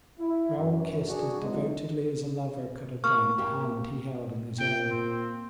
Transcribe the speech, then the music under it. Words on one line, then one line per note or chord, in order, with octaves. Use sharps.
Raoul kissed as devotedly as a lover could have done the hand he held in his own.
E4
F#2 E3
G3 D4 F#4 G#4
G#1 E2 E3 F#3 G#3 D#4
A#3 C#6 F6
A#3 G4
A#2 G5
C4